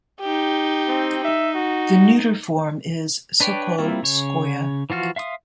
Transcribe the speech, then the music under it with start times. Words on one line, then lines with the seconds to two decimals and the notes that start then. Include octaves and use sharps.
The neuter form is Sokolskoye.
0.21 D#4 G4
0.88 C4
1.24 D#4 E5
1.55 F#4
3.40 D4 B4 C#5 D5 G5
3.78 G3 A#3 C4 E4 F4
4.03 C#3 C#5
4.90 E3 F3 F4 F#4 F6
5.16 E5 F5 C6 D#6